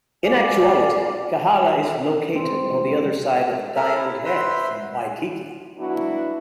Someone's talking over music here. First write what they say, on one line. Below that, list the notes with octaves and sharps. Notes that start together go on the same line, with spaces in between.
In actuality, Kahala is located on the other side of Diamond Head from Waikiki.
D5 F5 G#5 D6
C4
A4 A#4 E5
E4
B4 C5 E5 C6
F#3 B3 D4 E4 F#4